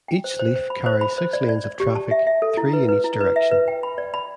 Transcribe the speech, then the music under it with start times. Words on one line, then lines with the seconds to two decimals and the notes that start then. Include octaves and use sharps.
Each leaf carries six lanes of traffic-three in each direction.
0.08 G5
0.24 C5
0.39 C5
0.56 C5
0.70 B5
0.86 C5
1.01 B5
1.18 C5
1.33 D5
1.49 D5
1.64 D5
1.80 G4
1.95 A5
2.11 E5
2.27 E5
2.42 A4
2.57 E4
2.73 B4
2.88 B4
3.04 E4
3.21 B4
3.36 E5
3.51 B4
3.68 G5
3.83 B5
3.98 D5
4.14 B5